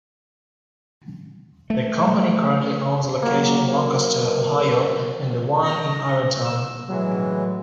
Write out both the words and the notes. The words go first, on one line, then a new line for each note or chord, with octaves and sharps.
The company currently owns the location in Lancaster, Ohio and the one in Ironton.
A3
F#3 A#3
A#6
E6
A2 E3 F#3 G#3